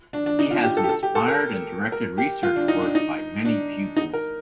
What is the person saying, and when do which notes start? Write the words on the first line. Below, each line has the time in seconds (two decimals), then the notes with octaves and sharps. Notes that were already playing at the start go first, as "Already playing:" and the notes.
He has inspired and directed research work by many pupils.
0.13 D4
0.26 D4
0.39 D#4
0.51 F4
0.63 G4
0.77 A4
0.84 G4
0.89 A4
1.03 G4
1.15 A4
1.28 A#4
1.92 A#4
2.18 G4
2.43 F4
2.56 D4
2.68 D#4
2.81 D4
2.95 D#4
3.45 D4
3.97 D#4
4.14 A#4